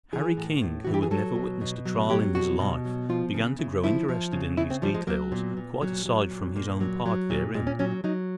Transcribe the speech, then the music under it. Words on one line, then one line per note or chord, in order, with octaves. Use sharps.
Harry King, who had never witnessed a trial in his life, began to grow interested in these details quite aside from his own part therein.
E3 G#4
A2
A2
E3 F#4
G4
G#4
F#3 A4
B2
B2
F#3
F#3 G4
B2 F#4
B2
F#3
F3 F4
C#3
C#3 E4
F3 E4
F3
C#3
C#3 E4
C4
F3 G3
G#3
F#3 A#3
A#2 B3
A#2
F#3
F#3
A#2
A#2 A#3
F#3
F#3
A#2
A#2 G#3
C#4
F#3 C#4
C#4
F#3 D#4